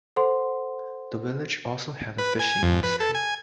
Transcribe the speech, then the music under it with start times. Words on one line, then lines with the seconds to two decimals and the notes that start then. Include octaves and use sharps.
The village also had a fishing industry.
0.16 A4 C5 F#5 C6
2.18 B4
2.39 G#5
2.63 F2
2.83 B4
3.00 A4
3.15 G#5